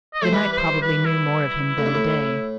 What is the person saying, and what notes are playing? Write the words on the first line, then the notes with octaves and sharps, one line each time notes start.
The night probably knew more of him than the day.
D#5
A3 C5
E3 G3 B4
B4
C5
B4
E4
A2
G2
A2